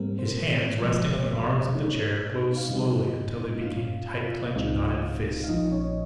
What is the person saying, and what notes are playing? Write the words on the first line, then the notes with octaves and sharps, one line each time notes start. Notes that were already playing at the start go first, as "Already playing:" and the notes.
His hands, resting on the arms of the chair, closed slowly until they became tight-clenched, knotted fists.
Already playing: G#2 G3 A#3 C4 A#4
C4 C5
C4 C5
G1 F2 C3 F3 G#3
A#2 G#3 C#4 D#4 C#5
F5
F2 C#3 G3 C4 D#4 D#5
G2 G3 C#4 F4 F5
F4 F5
C#2 C#3 G#3 C4 D#4
F5
A#1 A#2 F3 D#4 D#5
C#4 C#5